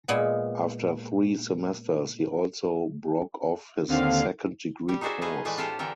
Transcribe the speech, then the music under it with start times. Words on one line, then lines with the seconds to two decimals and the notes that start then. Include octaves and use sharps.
After three semesters he also broke off his second degree course.
0.08 A#2 G#3 B3
3.88 D#2 D3 C4 F5
4.88 G3 G4
5.01 D#4 F#4 G#4 C5 D5 E5
5.22 A3 G#4 B4 D#5 F5
5.45 A2 E3 G#3 A3 B4 D5
5.57 D4 F4 G4 A4 C5
5.79 A2 D3 E3 A4 A#4 G5